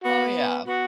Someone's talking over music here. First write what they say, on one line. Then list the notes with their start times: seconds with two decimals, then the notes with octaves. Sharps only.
Oh, yeah.
0.04 B3 F#4
0.67 B3 F#4